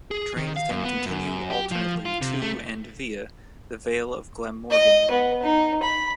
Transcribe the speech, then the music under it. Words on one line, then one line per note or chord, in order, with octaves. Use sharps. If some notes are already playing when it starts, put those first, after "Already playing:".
Trains then continue alternately to and via the Vale of Glamorgan Line.
G#4
D#3
F5
F#2
B3
F#2
G4
F3
F4
C3
A3
D#5
B3
D#4
B5